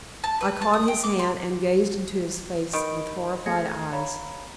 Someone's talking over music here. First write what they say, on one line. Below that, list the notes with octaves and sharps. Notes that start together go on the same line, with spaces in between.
I caught his hand and gazed into his face with horrified eyes.
A5
B4
A5
D#6
G5
D6
C6
D#3 B5 D7
A3 G#4 G#6 A#6 C#7
C#5 F5 A#5 B5